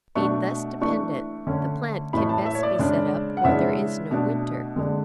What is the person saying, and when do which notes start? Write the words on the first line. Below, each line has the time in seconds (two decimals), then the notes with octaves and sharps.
Being thus dependent, the plant can best be set up where there is no winter.
0.15 B2 A3 D4 C#6
0.81 E3 A3 D4 C#6
1.47 D3 A3 C#4
2.13 A2 E3 A3 B5
2.29 A5
2.46 E5
2.55 C#5
2.63 D5
2.79 C#3 G#3 D4
3.37 F#5
3.45 C#3 E3 G#3 D4 E5
4.11 B2 A3 D4
4.76 D3 G#3 D4